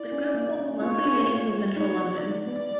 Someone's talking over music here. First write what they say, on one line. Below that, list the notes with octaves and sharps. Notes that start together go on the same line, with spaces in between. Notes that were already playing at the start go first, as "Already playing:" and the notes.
The group holds monthly meetings in central London.
Already playing: E4 D5
C#4
A#3
C#4
F4 C#5
G#4
F4
F4
D#4 C#5
B3
D5
D#4
D5
B3